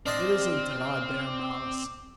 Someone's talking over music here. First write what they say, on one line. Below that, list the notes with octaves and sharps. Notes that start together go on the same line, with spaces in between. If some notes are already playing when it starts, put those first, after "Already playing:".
It isn't that I bear malice.
C4 D4 C5 D5 D#5 F6
D6